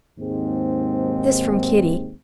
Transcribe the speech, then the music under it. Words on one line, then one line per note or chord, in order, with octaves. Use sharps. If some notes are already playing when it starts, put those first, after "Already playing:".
This from Kitty.
D#2 G#2 G#3 C4